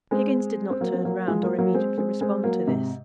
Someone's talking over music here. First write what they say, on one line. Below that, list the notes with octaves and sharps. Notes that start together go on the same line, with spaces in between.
Higgins did not turn round, or immediately respond to this.
G#3 C4
C4
F#3 A#3
C4
F#3 A#3
F3 G#3
F#3 A#3
F#3 A#3
G#3 C4
G#3 C4
G#3 C4
F#3 A#3
G#2 C3